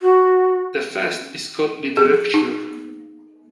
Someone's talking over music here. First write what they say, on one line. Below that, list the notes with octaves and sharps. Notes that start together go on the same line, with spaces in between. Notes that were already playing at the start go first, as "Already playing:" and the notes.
The fest is called Literapture.
F#4
G#4
D#4